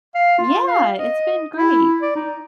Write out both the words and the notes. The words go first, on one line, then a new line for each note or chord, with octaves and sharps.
Yeah, it's been great!
F5
F4
F5
D#5
E4
D5
D#4